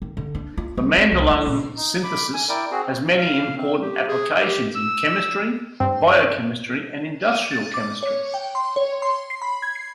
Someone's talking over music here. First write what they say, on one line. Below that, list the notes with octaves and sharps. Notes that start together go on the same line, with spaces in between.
The Madelung synthesis has many important applications in chemistry, biochemistry, and industrial chemistry.
D#3
D3
D4
F4
G3
C4
C2
E4
A#1
D#4
B5 D6
G#5
E4 A#4 D5 G5
C4 F#4 G#4
F5
C4
G4
G#4
G4
E6
G2 C4
D#7
A6
D6
C#5
G5
C6
C#5
C6
C7
B5
G#6
C7